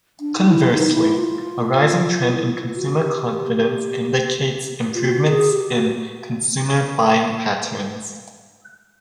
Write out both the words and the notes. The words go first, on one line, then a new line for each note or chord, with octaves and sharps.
Conversely, a rising trend in consumer confidence indicates improvements in consumer buying patterns.
D4
D#4
E4
D#4
E4
F4
E4
F4
F#4
G4
F4
F#4
G#4
G4
F#4